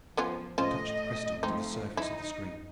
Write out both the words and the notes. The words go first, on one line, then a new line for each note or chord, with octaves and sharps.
She touched the crystal to the surface of the screen.
F3 B3 C#4 F4
A2 C#4 F4 C5 D#5
F3 A3 C4 D#4
D#4 E4